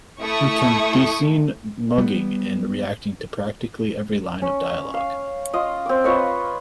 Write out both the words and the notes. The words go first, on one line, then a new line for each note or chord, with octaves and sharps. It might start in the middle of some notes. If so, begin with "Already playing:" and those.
He can be seen mugging and reacting to practically every line of dialogue.
A3 E4 C#6 D#6
G3 B3
C#4
F5
F4 D#5
C4 D6
F4 B4 C#5 D#5